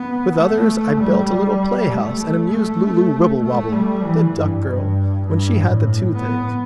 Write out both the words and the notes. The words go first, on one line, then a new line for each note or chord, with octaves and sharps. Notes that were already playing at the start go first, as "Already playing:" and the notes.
With others I built a little play house, and amused Lulu Wibblewobble, the duck girl, when she had the toothache.
Already playing: B3
A3
G3
A3
A3
A3
G3
E3
G2
G2
G2
A2
B3